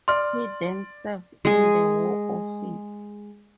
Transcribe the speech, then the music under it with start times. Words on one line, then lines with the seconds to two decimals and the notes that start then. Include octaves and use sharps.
He then served in the War Office.
0.08 D5 C6 F6
1.45 G#3 G#4